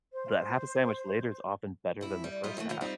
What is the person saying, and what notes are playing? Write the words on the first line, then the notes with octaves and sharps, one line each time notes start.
that half a sandwich later is often better than the first half.
C5
G#2 E4
G3
F#2 G3 F4 G4 D#5
E3 F#3 G3 A3 A#3
A2 D#3 F3 D#4
G3 C4 D#4 F4